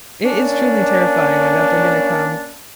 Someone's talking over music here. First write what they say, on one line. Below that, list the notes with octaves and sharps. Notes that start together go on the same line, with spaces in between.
It is truly terrifying that they're gonna come
A#3 C#4 D4